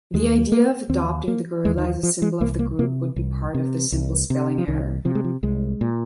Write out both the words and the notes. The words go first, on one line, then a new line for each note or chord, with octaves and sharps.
The idea of adopting the gorilla as a symbol of the group, would be part of a simple spelling error.
D#2 G#3
A#3
D#2 C4
A#3
D#2 G#3
D#3
F3
F3
G#3
C2 A#3
A#3
C3 A#3
C2
C3
C2
C3
F3
C2 D#3
C3 F3
G#3
F3
C2 G#3
A#2